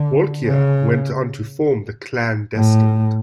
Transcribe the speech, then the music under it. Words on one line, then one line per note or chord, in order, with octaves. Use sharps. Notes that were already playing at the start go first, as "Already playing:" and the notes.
Walkyier went on to form The Clan Destined.
Already playing: D3
C#3
A2